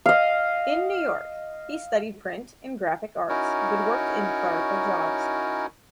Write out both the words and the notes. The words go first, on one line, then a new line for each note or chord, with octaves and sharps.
In New York, he studied print and graphic arts but worked in clerical jobs.
D#5 F5
C#4 D#4 E4 F#4 A#4 C#5